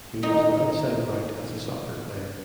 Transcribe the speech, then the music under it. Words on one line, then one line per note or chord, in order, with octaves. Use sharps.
He was an outside right as a soccer player.
D#2 D#4